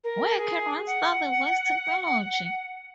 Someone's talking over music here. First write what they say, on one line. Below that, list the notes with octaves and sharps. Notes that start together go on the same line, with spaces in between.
Where can one study voice technology?
A#4
G#4
F#5